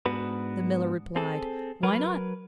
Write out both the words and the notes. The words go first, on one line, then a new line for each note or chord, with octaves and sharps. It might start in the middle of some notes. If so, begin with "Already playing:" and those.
The miller replied, 'Why not?
G#2 B3 D4 F#4 B4
C4 G#4 A4
F#3 A#4 B4